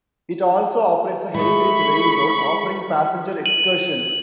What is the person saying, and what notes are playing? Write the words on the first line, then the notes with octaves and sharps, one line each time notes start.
It also operates a heritage railroad, offering passenger excursions.
G#3 A3 B5 C#6
D#7 F#7